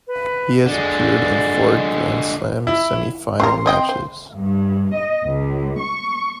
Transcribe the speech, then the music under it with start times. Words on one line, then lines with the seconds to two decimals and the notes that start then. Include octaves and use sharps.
He has appeared in four Grand Slam semifinal matches.
0.07 B4
0.66 D3 G#3 D5
2.67 E4
3.40 C4 A#4 C6
3.66 C4 D#5 G5
3.89 C5
4.36 G2
4.94 D#5
5.26 C#2
5.81 C#6